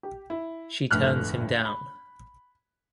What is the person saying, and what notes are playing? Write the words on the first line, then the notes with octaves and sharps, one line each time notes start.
She turns him down.
G4
E4
G1 F2 A2 F6 F#6
B5